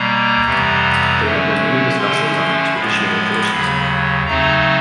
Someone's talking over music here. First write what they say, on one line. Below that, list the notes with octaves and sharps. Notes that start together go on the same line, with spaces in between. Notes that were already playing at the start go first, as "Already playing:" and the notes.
There have been many discussions on expeditionary forces.
Already playing: B2 G3 A#3 A#5
F2 C3 E3 G3 B3
D3 F#3 A3 C#4
D3 F3 A3 C#4 C6
A2 F3 G#3 B3 B5
D#2 C#3 F#3
C#3 F#3 A3 C4 D#4 A#5